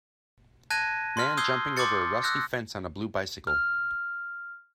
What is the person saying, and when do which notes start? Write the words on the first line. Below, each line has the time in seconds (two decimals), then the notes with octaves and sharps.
Man jumping over a rusty fence on a blue bicycle.
0.70 A5 F#6 G#6 A#6 D#7
1.17 C6 F6
1.37 D#6 E6 G6 G#6 C7 G7
1.77 C6 D6 D#6 G6 A6 C#7
2.23 E6 F#6 G6 A#6
3.47 F6